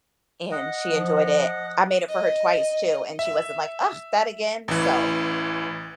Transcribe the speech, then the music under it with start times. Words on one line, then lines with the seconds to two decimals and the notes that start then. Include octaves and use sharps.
and she enjoyed it. I made it for her twice too, and she wasn't like, "Ugh, that again?" so
0.51 D#5 F#5
0.88 F3
2.09 D#5
3.19 E5
4.68 A1 E3